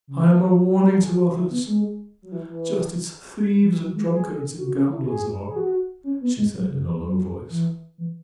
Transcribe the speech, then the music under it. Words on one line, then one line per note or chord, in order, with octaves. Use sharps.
"I am a warning to others, just as thieves and drunkards and gamblers are," she said in a low voice.
C#3
E3
F#3
F#4
G#4
F#4
E4
B3
G#3
F#3
E3
E3
E3
F#3
G#3
G#4
F#4
C#4
E4
G#4
G#4
F#4
C#4
B3
G#3
F#3
C#3
E3
F#3
E3
E3